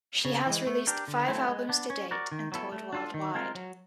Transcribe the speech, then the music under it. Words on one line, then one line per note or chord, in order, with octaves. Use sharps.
She has released five albums to date and toured worldwide.
C#3
E3 G#3
A3
D4 G4 A#4
D3
F#3 A3 C4 E4
G#3
B3 D4
C#4
F#4 A#4 D5
D#3
F#3 B3 E4 A4
A3
D4 F4 A4
D#3
G#3 C4 F4 A#4
F#3